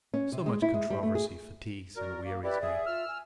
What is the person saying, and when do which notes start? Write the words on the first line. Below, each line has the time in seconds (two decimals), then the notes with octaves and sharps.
So much controversy fatigues and wearies me.
0.14 C#4
0.32 C3
0.46 G#3
0.62 E4
0.74 G#3
0.90 G3
1.03 A3
1.15 G#4
1.96 F#4 A#4 D5
2.25 A#3
2.43 E4 G4 B4 D5
2.62 G#4 E5
2.86 F4 E6 F6
3.07 G#5